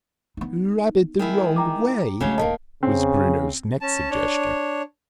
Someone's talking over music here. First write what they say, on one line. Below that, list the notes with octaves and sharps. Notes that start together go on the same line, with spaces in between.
"Rub it the wrong way," was Bruno's next suggestion.
B3 D#4
D#3 G#3 E4
G5 A#5 D6
C#3 F#3 G#3 A3 C4
D#1 F2 D#3 A3 A#3 D#5 A5
C#3 C4
C#4 A5
D4 C#5